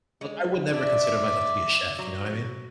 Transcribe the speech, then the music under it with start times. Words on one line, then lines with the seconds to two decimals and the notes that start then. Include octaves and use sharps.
like, I would never consider myself to be a chef, you know what I mean?
0.21 G#3
0.74 D4 D5 E5
1.99 F#3